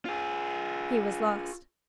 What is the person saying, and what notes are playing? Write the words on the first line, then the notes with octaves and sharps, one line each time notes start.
He was lost.
F4 G#4